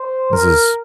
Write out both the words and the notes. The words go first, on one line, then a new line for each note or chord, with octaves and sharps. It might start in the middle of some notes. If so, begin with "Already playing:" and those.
This is
Already playing: C5
A#4